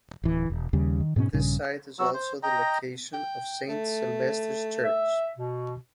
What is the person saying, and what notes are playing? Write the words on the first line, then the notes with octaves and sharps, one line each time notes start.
This site is also the location of Saint Sylvesters Church.
D1 E3
E1
D#2 C#3 G3
D#3
G#2 B2 B3 C#4
A#1 G2 C#3
F#3 B3 F#4 E6
C5
D#5 G5 A#5
G5
A3
E5
B2